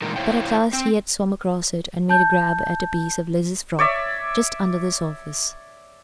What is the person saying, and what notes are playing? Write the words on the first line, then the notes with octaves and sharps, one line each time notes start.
But at last he had swum across it and made a grab at a piece of Liz's frock just under the surface.
A#2 E3 G#3 D#4 F4 A#4
E4 C5 C#5 F5 G5
C4
A5 G6
C#5 D5 E5